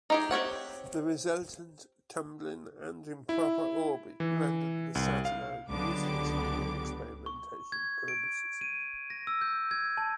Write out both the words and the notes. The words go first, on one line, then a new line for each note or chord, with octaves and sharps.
The resultant tumbling and the improper orbit rendered the satellite useless for experimentation purposes.
D#4 G4 G#4
C4 G4 C#5 F#5
E4
E3
C2
F5
C#2 D3 F#3 B3 G4 D6
C#6
G#6
D7
D#7
A#6
E6
G6
G#6
A5